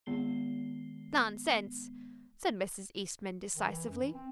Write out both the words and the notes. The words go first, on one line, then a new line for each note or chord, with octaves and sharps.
"Nonsense!" said Mrs. Eastman decisively.
D#3 G#3 B3 C7 G7
D#3
E3
F#2
E3
C4